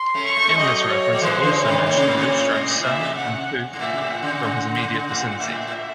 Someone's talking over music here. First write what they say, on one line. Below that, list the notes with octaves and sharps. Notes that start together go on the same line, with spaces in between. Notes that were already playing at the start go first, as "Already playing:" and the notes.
In this reference are also mentioned Leustrak's son and Puch from his immediate vicinities.
Already playing: C6
A3 C#4
C#6
A3
G#3
F#3 A3 D#5
C#5
F#3
E3 G#3 C5
C#3 E3
C#5
C3 D#3
A2 C#5
C3
A2
C3 C#5
A2
G#2 D#5
A2
A2 E5
C3
F#5
G#2
A2 E5
C3
A2
F#5
C#3
C#3
C#3
A2 F#5
A2 E5
A2